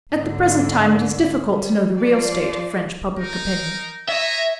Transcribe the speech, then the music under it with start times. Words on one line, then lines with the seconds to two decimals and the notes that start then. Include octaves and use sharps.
"At the present time it is difficult to know the real state of French public opinion."
0.14 G#2 D3
1.53 G3
1.99 F3 D5
3.19 D#4 A#4
4.09 C#5 D#5 E5 A#5